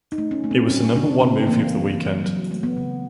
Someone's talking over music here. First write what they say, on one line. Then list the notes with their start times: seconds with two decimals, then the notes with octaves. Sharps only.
It was the number one movie of the weekend.
0.12 D#4
0.18 A3
0.31 C#4
0.44 A3
0.51 C4
0.70 G3 C#4
0.96 C#3 D4
1.21 C#3 C4
1.47 E3 A#3
1.74 G3
1.99 E3
2.24 F#3
2.51 A3
2.63 B3
2.77 C#3